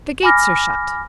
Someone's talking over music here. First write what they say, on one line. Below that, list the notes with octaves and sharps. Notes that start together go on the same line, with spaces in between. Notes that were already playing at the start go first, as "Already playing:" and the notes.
"The gates are shut."
G#5 B5 D6 F6 A#6